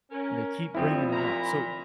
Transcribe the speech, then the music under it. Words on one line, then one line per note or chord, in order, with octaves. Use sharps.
and they keep bringing it up. So,
C#4 A#4
F3 G3 A3 C4 E4 D#5
A#2 A#5 B5